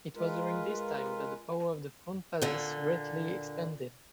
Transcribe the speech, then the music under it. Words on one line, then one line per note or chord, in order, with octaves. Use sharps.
It was during this time that the power of the Front Palace greatly expanded.
G#3 F4 A#4 B4
A#2 D3